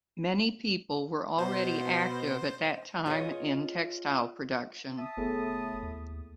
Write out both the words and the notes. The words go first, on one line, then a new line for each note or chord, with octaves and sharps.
Many people were already active at that time in textile production.
B2 C5
F4 G#4 C5 C#5 D#5
E5 A5 D#6
F#1 A2 B3 G#4 A4
D#2